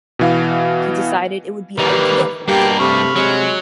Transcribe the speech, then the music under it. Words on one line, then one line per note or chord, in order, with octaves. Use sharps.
He decided it would be ideal for the duo.
B2 E3 F5
D#3 E3 G3 A#3 E4 B4
G2 B2 A#3 G4 G5
C3 A3 B5 C#6 F6
C3 F#3 G#3